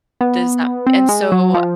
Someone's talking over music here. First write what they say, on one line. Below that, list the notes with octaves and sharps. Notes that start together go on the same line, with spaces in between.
Does that and so
B3
C4
G#3
F#3
F3